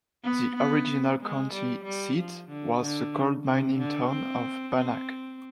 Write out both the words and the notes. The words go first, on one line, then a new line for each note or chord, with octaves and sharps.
The original county seat was the gold-mining town of Bannack.
B3
B3
G#3
G3
G3
F3
D3
D3
C3
D3
C4
C4